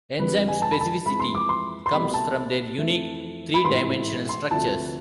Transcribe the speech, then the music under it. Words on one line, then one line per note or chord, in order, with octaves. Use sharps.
Enzymes' specificity comes from their unique three-dimensional structures.
F1 F2 D3 G#3 B4
G#5
A5
B5
A5
F2 E3 G#3 B5
C6
D6
C6
C6
C2 B2 A3 B5
A5
F2 E3 A3
B5
A1 G#2 E3 A3 C6
C6
D2 C3 F3 A3 A5